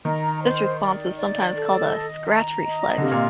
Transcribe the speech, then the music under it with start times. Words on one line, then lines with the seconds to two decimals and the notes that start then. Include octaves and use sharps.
This response is sometimes called a scratch reflex.
0.05 D#3 A#5
0.42 C5
0.80 D5
1.16 D5
1.54 A4
1.90 D#5
2.28 A#5
2.64 D#5
2.98 D3
3.02 C3 F4
3.12 A#2